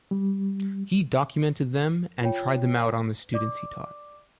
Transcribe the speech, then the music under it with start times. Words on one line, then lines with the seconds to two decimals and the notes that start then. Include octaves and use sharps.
He documented them, and tried them out on the students he taught.
0.11 G3
2.21 F4 C#5 G5
3.34 D5 D6